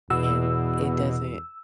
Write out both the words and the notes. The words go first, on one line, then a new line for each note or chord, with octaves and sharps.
And, it doesn't
E2 B2 E6